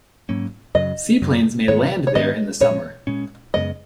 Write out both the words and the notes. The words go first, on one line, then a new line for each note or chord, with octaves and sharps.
Seaplanes may land there in the summer.
G#2 F#3 A#3 C#4
F#2 C#3 F#3 D#5
F#2 C#3 F#3
G#2 D#3 G#3 B3 C#5
C#5
G#2 D#3 G#3 B3 D#5
A#2 G#3 C#4 C#5
A#2 G#3 C#4
F#2 C#3 G#3 B3 D#5